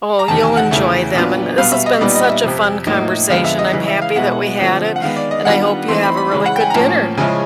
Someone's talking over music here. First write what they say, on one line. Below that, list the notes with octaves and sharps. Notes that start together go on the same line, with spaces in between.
Oh, you'll enjoy them, and th this has been such a fun conversation, I'm happy that we had it, and I hope you have a really good dinner.
A#5
E2 C3 D#3 A5
G#5
F#5
E2 C#3 E3 A3
A#2 F#3 B3 D4 F4
B2 G3 B3 F5
E5
D#5
A#2 G3 B3 D#4 D5
D#5
E5
F2 C3 F3
A2 F3 A#3 D#4
F2 D3 F3 G#3 B3 F5
E5
D#5
C#3 E3 G#3 D#5
E5
F5
B2 G#3 B3 E4 F#5
D3 F3 A3 C4
F#5
D#3 G#3 B3 F5
D5
D#5
D#3 G3 B3 D4 F4 F#5
E3 A3 C4 D#4 C6
B5
B5
C#3 E3 G#3 B5
F#5
G5
G#5
A#5
A2 F3 A#3 C#4 A5
C#3 F3 G#3 C#4 E4 G#5